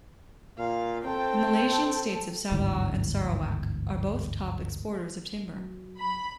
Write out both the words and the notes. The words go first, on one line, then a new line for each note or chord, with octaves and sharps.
The Malaysian states of Sabah and Sarawak are both top exporters of timber.
A#2 F5
C4 A4 G5 A5
G1 D2 G#2 E3
F#3
B5